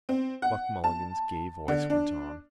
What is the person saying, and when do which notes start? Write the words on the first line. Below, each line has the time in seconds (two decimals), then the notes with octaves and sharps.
Buck Mulligan's gay voice went on.
0.09 C4
0.42 F#5
0.84 A5
1.68 D3
1.90 D4